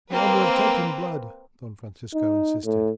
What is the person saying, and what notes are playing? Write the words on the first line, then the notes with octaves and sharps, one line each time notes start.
"The honour of Captain Blood," Don Francisco insisted.
A#3 C4 B4
D#4
A2